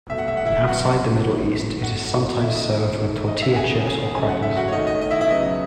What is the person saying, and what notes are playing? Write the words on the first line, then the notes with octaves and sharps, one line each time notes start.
Outside the Middle East, it is sometimes served with tortilla chips or crackers.
B2 A3 E5
F#5
E5
F#5
E4 E5
B2 F#3 B3 F#4 F#5
D#3 F#3 B3
B2 A3 F#4 F#5
D#3 A3 E4 E5
D#5
D#3 A3
D#5
E4 E5
F#5
C#3 E3 A3 G#4 G#5
G#4 G#5
C#3 F#3 A3 G#5
F#5
E5
F#4 F#5
C#5
D#3 A3 D#5
D#5
D#5
E4 E5
E4 E5
C#3 F#3 B3 D#5